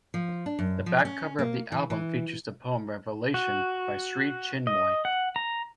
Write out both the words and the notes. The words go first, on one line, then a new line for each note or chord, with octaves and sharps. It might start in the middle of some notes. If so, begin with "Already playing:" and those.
The back cover of the album features the poem "Revelation" by Sri Chinmoy.
F3
D4
F#2
F3
C#4
A#3
E3
E3
F#4
D#5
F#5
A#5